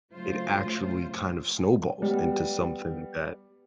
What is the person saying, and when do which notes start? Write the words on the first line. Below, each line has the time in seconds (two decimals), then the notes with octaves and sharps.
it actually kind of snowballs into something that
0.14 C#3 F#3 A3 F4 C5
2.02 G3 B3